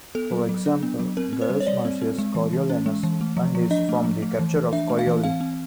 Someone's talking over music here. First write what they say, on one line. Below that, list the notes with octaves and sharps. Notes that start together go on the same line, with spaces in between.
For example, Gaius Marcius Coriolanus earned his from the capture of Corioli.
B3 A4
F#3
F#3
D4
B3
F#3
C4 A#4
C4
C5
G3
C#5
G3 D5
C4
C4
G#3
E3
E3
C#4
G#3
E3
A3
F3
F3
D4 D#5
A3
F3
A3
E3
E3
D4 E5
A3
F5
E3
C4 F5
C4